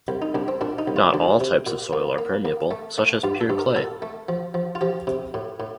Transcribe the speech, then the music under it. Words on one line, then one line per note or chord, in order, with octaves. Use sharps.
Not all types of soil are permeable, such as pure clay.
C2
D#4
C2 D4
C4
A#2 D4
D#4
C2
F4
D2 D4
C3
A#2
A#3
A#3
A#3
A3
A3
G2 F4
A4
G2
A#4
A#2 A4
A3
F3
F3
F4
F3 G4
C3
A2
A2